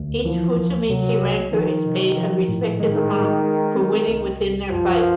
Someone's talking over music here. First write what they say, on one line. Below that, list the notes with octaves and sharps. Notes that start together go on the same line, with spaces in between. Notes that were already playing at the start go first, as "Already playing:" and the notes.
Each Fukamichi ranker is paid a respective amount for winning within their fight.
Already playing: D2
E3 F3
D2
C3 F#3
C2
D#3 F3
C3
F3
A2
D#3 G#3
G#3
G#3
C4
C2
C2
F#2 F3